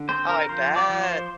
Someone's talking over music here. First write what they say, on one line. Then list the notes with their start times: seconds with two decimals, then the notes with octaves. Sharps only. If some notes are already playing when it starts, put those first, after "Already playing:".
I bet!
Already playing: D3
0.09 C4 C5
0.29 A#4
0.49 F3 C5
0.76 D5
0.90 F3
1.03 C5